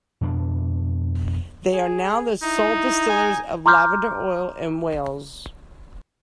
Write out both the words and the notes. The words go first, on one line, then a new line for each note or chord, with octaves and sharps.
They are now the sole distillers of lavender oil in Wales.
F2 B2 C4 D4
G#4
D#4 E4
G#5
A#5 C6 D6 F6 G6